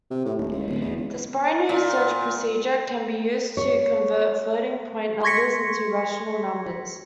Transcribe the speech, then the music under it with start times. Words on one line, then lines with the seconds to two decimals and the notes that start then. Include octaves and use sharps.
This binary search procedure can be used to convert floating-point numbers into rational numbers.
0.11 C3
0.25 A2
0.38 D#1
0.52 C#2
0.67 D1
0.81 E2
0.96 C#2
1.69 A#2
3.57 C#5
5.23 C6 C#6 G#6 A#6 B6 C#7